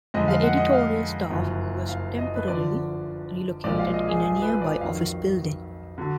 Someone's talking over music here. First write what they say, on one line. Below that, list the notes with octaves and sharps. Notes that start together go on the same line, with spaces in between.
The editorial staff was temporarily relocated in a nearby office building.
F2 D3 G#3 D#5
F5
F#5
D#5
F5
F#1 F#2 F3
F5
D#5
B4
D2 D3 F3 D5
B1 A#2 F3 G#3 D5
F5
D#5
G#4
G#4
B4
D5
F2 D#3 F#3 F5
D3 F#3